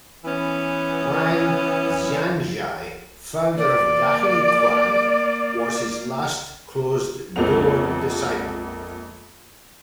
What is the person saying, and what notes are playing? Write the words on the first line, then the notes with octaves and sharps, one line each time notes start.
Wang Xiangzhai, founder of dachengquan was his last closed door disciple.
E3 B3 C#4
A#3 D5
A#1 F2 G#3 A#3 B3 F7